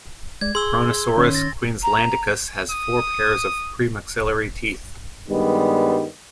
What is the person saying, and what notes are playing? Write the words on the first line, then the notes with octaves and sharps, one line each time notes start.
"Kronosaurus queenslandicus" has four pairs of premaxillary teeth.
G#3 D5 G#6
G#4 C6 E6 G7
D#3 C#4 C#5
A6 A#6
A#5
D#6
G2 D#3 G3 G#3 B3